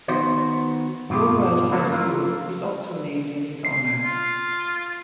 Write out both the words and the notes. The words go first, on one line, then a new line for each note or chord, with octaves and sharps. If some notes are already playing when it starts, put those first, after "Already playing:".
Bolhrad High School is also named in his honor.
D#3 B3 F#4 C5
G2 B2 F4 G4
C#3 F#3 A3 A#3
E3 F4 A#4
C7
F4